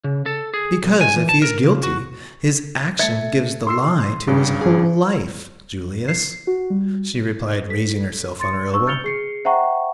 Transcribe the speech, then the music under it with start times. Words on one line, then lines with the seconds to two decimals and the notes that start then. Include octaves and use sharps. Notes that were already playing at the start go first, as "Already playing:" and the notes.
"Because, if he is guilty, his action gives the lie to his whole life, Julius," she replied, raising herself on her elbow.
0.04 C#3
0.26 A4
0.54 G#4
0.83 B1
1.01 G#5
1.16 E3
1.29 A5
1.42 A#4
1.64 C#3
1.83 F#4
2.99 A3 E5 G#6 A6 C#7
3.67 C6 E6 C7
4.28 G#1 G2 C#3
4.61 G#4
6.08 C7
6.47 F#4
6.70 G3
7.69 A4 B6
8.39 C6 A6 C#7
8.73 D4 C#6 E6
8.87 F6 G6 A6 C#7 F7 G7
9.04 G#4 C7 C#7
9.45 C5 E5 F#5 G5 A#5 C#6